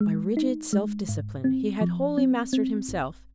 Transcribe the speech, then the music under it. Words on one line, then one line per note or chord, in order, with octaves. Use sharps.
By rigid self-discipline, he had wholly mastered himself.
G#3
D#4
G#3
G#2
C4
F3
C4
C4
G1